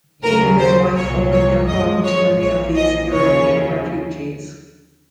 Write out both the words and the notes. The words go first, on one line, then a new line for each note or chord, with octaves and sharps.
He and his wife opened their home to many of these European refugees.
D#2 C#3 F#3 A#4
C5
C2 A#2 F#3 C#5
C#5
G#1 F#2 F3 G#3 D#5
C#5
A#1 A#2 F3 C#5
D#5
D#2 C#3 F3 C#5